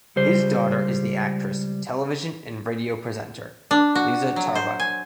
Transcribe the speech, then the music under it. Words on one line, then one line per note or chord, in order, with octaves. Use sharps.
His daughter is the actress, television and radio presenter, Liza Tarbuck.
C#2 G3 C5
D4
F#4
F#3
C5
G#5